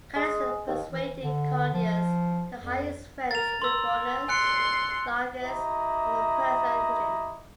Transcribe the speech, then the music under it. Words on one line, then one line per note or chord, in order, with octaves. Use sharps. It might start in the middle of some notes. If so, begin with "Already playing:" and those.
Callistus persuaded Claudius to hire his friend Scribonius Largus as a personal physician.
G#3
D#2
E3
D3
F3
F2
A#4 A6 F7
A#4 C6 E6
G#5 C6 F#6 C#7
E4 G4 D#5 A#5